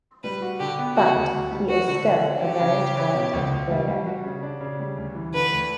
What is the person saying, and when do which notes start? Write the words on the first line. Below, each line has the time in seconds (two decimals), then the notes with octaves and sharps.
But he is still a very talented player.
0.24 G3 B4
0.42 F#4
0.60 D3 G4
0.79 B3
0.96 C#3 F#4
1.15 D2
1.33 D2
1.51 G3
1.69 A3 F#4
1.88 D3
2.05 D3
2.24 C#4
2.42 F#3 G4
2.60 C#3
2.78 C#3
2.97 C#4
3.15 B2
3.33 C#2
3.52 C#2
3.70 G3
3.88 G3
4.06 F#4
4.24 C#3
4.43 D4
4.61 C#3
4.80 G3
4.97 D2
5.15 E3
5.34 D3 B4
5.52 D2